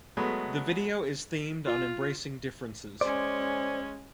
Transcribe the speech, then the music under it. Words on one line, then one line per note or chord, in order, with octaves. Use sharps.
The video is themed on embracing differences.
F#3 G#3 A3 B3
F4
G#3 C#4 C5 D5